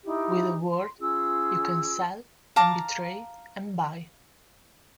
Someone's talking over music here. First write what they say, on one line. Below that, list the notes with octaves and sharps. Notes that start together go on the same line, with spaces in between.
With a word, you can sell, and betray, and buy.
D#4 E4 G4
C6
C#4 F4 G#4 E6
F5 A5 A#5 D6